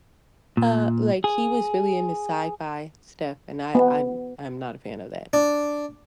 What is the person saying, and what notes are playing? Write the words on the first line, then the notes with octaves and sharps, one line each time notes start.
uh, like, he was really into sci-fi stuff and I I'm I'm not a fan of that
A#2
G#4
B3
D4